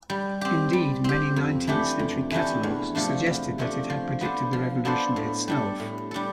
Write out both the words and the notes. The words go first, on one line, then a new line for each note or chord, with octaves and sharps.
Indeed, many nineteenth-century catalogues suggested that it had predicted the Revolution itself.
G3
C4 G4
G3
C4 G4
F2
E3 A3 D4 G4
F2
E3 A3 D4 G4
E2
C3 F3 A3 D4
E2
C3 F3 A3 D4
F3
B3 D4 A4 C5
F3
B3 D4 A4 C5
A2
G3 D4 A4
A2
G3 D4 A4